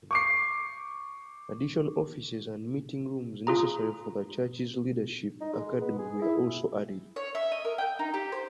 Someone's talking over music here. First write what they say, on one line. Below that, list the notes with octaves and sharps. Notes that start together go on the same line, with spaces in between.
Additional offices and meeting rooms necessary for the church's Leadership Academy were also added.
C#6 D6 C7
F4 G#4 A#5
D#4
G#3
B3
G#4
E4
C#5
E5
D#5
A#4
G5
D#4
G4
C5